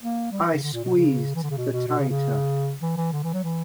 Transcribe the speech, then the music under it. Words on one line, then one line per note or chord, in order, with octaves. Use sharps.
I squeezed the tighter.
A#3
G3
C#3
D3
A#2
B2
C#3
E3
D3
C#3
B2
B2
B2
C#3
C#3
E3
E3
D3
E3
F#3
E3